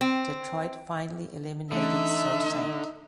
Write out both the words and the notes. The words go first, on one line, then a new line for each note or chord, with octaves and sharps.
Detroit finally eliminated Sault Ste.
C4
D3 E3 A3 C#4 D#4 E5